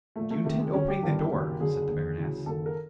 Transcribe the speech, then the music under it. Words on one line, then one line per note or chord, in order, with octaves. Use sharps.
"Do you intend opening the door?" said the baroness.
A#1 A#2 A3
A3
C#2 C3 D#3 A3
G#3
D2 D3 C#4
G4
G1 G2 D#3
F#1 F#2 D#3
F#1 F#2 D3 G#4
D#2 D3
D2 C#3 E3
F#1 F#2 D#3 A4
A#4